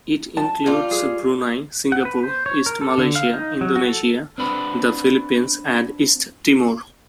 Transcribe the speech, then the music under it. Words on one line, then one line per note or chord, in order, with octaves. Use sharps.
It includes Brunei, Singapore, East Malaysia, Indonesia, the Philippines and East Timor.
A5
G3 F4
G#4
F#5
B4
C5
C#5
A#4
A4
D3
F5
D#4
F#3
F#4
A4
C4 D4 B4